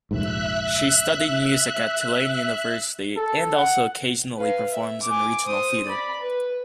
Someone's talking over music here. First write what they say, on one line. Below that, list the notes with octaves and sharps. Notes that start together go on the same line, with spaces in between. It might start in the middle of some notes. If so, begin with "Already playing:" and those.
She studied music at Tulane University and also occasionally performs in regional theatre.
F1 A#1 G#2 E5 F#6
A4
F#5
B4 F5
E5
G#5 D6
C5 D#6
D5 B5
B4